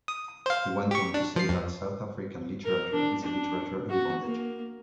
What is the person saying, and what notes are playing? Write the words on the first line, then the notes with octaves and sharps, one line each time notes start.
He went on to say that South African literature is a literature in bondage.
D#6
C5 F5
G4 C#6
D4
F3 C7
F2
A#4
D4
D4
F#4
A#3